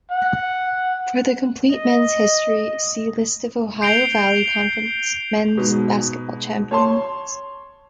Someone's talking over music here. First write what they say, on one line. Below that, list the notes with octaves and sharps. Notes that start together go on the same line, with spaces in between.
For the complete men's history, see List of Ohio Valley Conference men's basketball champions.
F#5
D#5
G6 C7 D7 F7 G7
G#2 B2
C#5 A5 C6